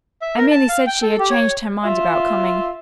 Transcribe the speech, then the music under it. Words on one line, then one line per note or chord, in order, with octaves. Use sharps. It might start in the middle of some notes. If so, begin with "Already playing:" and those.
"I merely said she had changed her mind about coming."
E5
A#4
A5
F5
G5
A4
G4
C#5
F4 E5